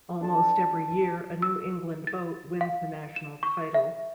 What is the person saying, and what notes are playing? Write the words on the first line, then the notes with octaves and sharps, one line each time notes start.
Almost every year, a New England boat wins the national title.
D4 A4 A5
E6
A6
F5
E7
C#6
E5